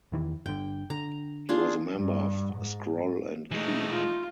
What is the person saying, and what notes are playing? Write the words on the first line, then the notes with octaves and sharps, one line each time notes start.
He was a member of Scroll and Key.
E2 D#3 E3
G1 D3 G5
D3 A#5
D4 F4 G#4
G2
G#2
E3 G#3 A3 D#4
F4